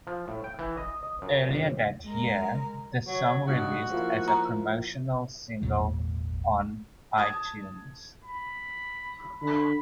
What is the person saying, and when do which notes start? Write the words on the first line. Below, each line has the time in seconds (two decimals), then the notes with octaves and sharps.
Earlier that year, the song released as a promotional single on iTunes.
0.07 F3
0.28 A2
0.44 G5
0.59 E3
0.77 D#5
1.03 D#5
1.22 F#2
1.49 G1
2.04 G#3 A#4
3.08 F#3
3.47 A1 G2 B2 F#4
3.90 F3 A#3 E4
4.28 A#5
5.62 G#1 E2 A#2 F#3
7.17 A5 D#6 G#6
8.24 B5
9.42 D3 B5